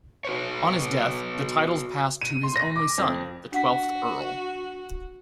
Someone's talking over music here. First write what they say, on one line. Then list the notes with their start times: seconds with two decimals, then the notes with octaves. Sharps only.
On his death the titles passed to his only son, the twelfth Earl.
0.25 F#4 B4 C#5
2.21 D#7
2.43 C6
2.56 A#6
2.76 D6
2.98 F2
3.52 D4 F#4 F#5 B6